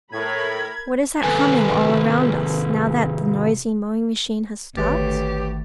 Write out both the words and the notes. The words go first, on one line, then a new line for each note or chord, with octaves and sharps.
What is that humming all round us, now that the noisy mowing-machine has stopped?
A2 A#4 B5 G#6
C3 D#3 A4 B4 G#5
G#1 D2 D#3 G4 B4 C#5 A6